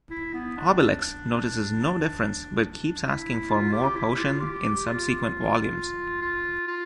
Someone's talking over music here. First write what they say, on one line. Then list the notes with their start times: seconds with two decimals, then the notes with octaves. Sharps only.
Obelix notices no difference, but keeps asking for more potion in subsequent volumes.
0.10 E4
0.33 B3
0.57 D4
2.59 D4
3.06 E4
3.50 F4
3.72 G4
3.96 E4
4.19 F4
4.40 G4
4.86 F4
6.22 F4
6.68 F4